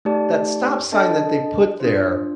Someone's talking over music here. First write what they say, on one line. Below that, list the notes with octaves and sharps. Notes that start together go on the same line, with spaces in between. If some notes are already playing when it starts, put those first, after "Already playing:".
that stop sign that they put there
A3 D#4 G4 D5 A5
D4 A4 D#5 A5
D4 F4 C5